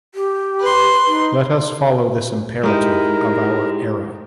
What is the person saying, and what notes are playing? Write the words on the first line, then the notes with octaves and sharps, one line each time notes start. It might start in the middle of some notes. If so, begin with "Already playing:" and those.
Let us follow this imperative of our era.
G4
B4 C6
D#4
G#3 D#4 E4 G4 A#4